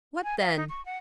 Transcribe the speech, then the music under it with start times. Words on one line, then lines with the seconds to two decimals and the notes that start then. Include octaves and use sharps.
What then?
0.23 G#5
0.39 F5
0.57 D#4
0.69 C#6
0.85 F#5